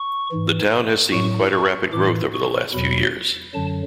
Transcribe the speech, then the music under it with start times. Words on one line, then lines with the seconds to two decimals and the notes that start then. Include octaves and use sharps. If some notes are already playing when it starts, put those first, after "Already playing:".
The town has seen quite a rapid growth over the last few years.
Already playing: C#6
0.32 G#2 E3
1.12 A2 F#3 C#6
1.53 C#6
1.93 A2 E3 D6
2.34 C#6
2.73 E2 B2 F#3 B5
3.54 F#2 D3 F#3 A5